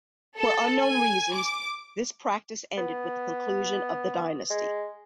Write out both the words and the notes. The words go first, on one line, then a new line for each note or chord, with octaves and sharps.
For unknown reasons, this practice ended with the conclusion of the dynasty.
A4
G#5
D6
B3
G#3